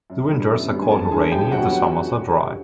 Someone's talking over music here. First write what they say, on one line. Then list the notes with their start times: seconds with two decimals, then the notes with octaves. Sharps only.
The winters are cold and rainy, and the summers are dry.
0.10 F#2
0.30 D3 G3 B3
0.50 F#2
0.71 D3 G3 B3
0.82 G#5
0.91 E1 A4 A5
1.11 D2 D3 F#3 B3 G#4 G#5
1.31 E1 G4 G5
1.52 D3 F#3 B3 F#4 F#5